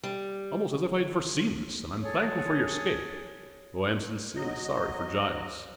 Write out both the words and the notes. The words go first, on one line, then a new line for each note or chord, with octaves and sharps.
It is almost as if I had foreseen this; and I am thankful for your escape, though I am sincerely sorry for Giles.
G3
G#4 A4 C#5
F#3 D#5